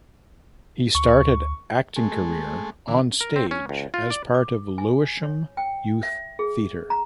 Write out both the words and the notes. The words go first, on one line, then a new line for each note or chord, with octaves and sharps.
He started acting career on stage as part of Lewisham youth theatre.
D2 C#6
G#3 A3
D3 E3
A#4
C4
C#4
C#2
F4
D5
D6
G#5
C#5
G5
E5
G#4
A#5